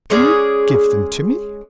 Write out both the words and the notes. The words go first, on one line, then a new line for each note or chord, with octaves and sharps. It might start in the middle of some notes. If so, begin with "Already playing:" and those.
"Do you give them to me?"
G#3 C#4 G#4 D5